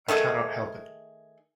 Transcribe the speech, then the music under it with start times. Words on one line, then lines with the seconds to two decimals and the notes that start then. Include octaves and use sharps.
I cannot help it.
0.08 D#3 A3 G#4 A4